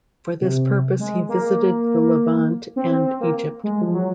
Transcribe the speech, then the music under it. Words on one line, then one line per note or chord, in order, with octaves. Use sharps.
For this purpose he visited the Levant and Egypt.
C3
G#3
A#3
C4
C4
C4
A#3
G#3
F3
F#3